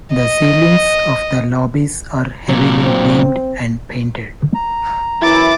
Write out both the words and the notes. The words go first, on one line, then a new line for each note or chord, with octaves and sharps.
The ceilings of the lobbies are heavily beamed and painted.
D#5
A#2 F#3
C4
A#5
F#2 E3 E4 D6 A6